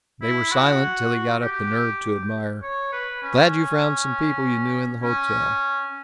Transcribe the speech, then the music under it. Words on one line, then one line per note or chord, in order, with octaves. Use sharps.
They were silent till he got up the nerve to admire, "Glad you found some people you knew in the hotel."
E4
F#4
G4
C#5
B4
C#4
C#4